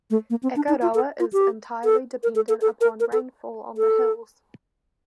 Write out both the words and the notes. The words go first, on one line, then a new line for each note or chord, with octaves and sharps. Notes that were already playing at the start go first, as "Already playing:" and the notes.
Akaroa is entirely dependent upon rainfall on the hills.
A3
A#3
C4
D4
D#4
F4
A4
F4
G4
A4
A#4
A4
A4
A4
A#4
A#4
A4
A4